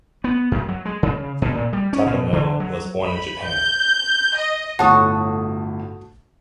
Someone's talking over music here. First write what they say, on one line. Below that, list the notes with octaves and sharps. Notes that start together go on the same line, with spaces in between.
Takano was born in Japan.
B3
F#2
F#3
G#3
C#3
B2
A#2
G3
C#4
B2
D3
F#3
B5
G6
D#5
G1 A2 F#4 A4 C#5 F#5 A5 D#6